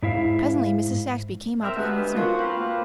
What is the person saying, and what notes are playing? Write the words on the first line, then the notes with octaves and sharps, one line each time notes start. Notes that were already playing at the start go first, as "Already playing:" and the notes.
Presently Mrs. Saxby came up, looking concerned.
G#2 E4 E5 F5
C4 A#4 E5
D2 G2 G#3 B3
F3 F4 F#4 A#4
C4 B4 F5
A#3